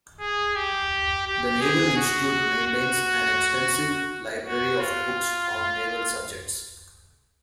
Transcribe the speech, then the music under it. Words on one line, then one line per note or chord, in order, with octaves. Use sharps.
The Naval Institute maintains an extensive library of books on naval subjects.
G#4
G4
G4
G#4
F#4
F#4
F#4
F4